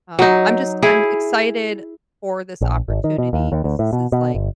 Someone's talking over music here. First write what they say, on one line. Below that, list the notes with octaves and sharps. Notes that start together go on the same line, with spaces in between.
Um, I'm just I'm excited for this opportunity 'cause this is, like,
F#3 D#4
E4 G#4
A#1
G#1
D#3
B2
D#2
D#2
D2
A2
B2
B2
G1